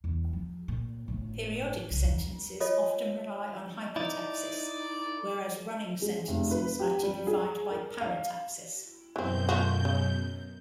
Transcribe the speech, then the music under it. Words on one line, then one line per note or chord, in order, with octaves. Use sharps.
Periodic sentences often rely on hypotaxis, whereas running sentences are typified by parataxis.
E2 G3
F3
A#2
G1 A2
C2
E2
F4 A4 C#5 D#5
D#4 E4 D5
G#3
F1
B4
G4
G3
G#4
A#4
F5
F#2 B2 E3 C4 G6
A3 F4 F#4
C#3